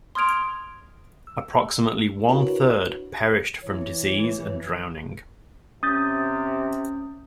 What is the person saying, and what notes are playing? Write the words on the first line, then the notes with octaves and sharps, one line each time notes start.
Approximately one-third perished from disease and drowning.
C6 D#6 F6 G#6 D7 F7
E6
D4 E4 F#4 A#4 B4 C#5
E3 C#5
C3 C#4 D#6 G6 A6